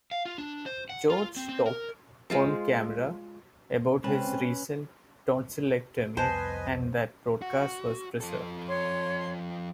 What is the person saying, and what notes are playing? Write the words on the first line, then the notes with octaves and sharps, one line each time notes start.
George talked on-camera about his recent tonsillectomy, and that broadcast was preserved.
F5
F4
D4
C5
F#5
F4
C4
C4
A#4
G#3 F4 C5
D2 G#3 C4 C#4 B4 A5
C2 F2 B3 B4 C5 D#5 G#5 A5
F#4
F3 A4
C#5 C6